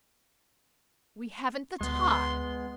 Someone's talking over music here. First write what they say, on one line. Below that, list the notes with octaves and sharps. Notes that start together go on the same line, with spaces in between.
"We haven't the time."
D2 G#3 B3 C6